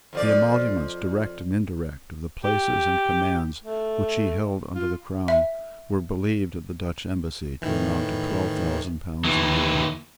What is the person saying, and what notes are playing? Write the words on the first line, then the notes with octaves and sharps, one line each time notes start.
The emoluments, direct and indirect, of the places and commands which he held under the Crown were believed at the Dutch Embassy to amount to twelve thousand pounds a year.
F2 F3 D5
G4
A3
F4
E5
A2 D#3 E3
D#2 E3